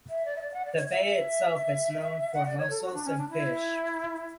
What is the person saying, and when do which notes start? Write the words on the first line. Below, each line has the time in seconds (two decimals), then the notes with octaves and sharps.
The bay itself is known for mussels and fish.
0.09 E5
0.25 D5
0.36 E5
0.41 D5
0.54 F#5
0.65 D5
0.77 C#5
0.90 E5
2.34 F#5
2.46 D5
2.58 C#5
2.70 A4
2.82 F#4
2.94 D4
3.05 C#4
3.18 D4
3.29 E4